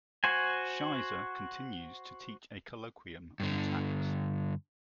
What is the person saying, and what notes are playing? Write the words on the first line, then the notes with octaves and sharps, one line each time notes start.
Schizer continues to teach a colloquium on tax.
F#4 C5 G#5
G2 D3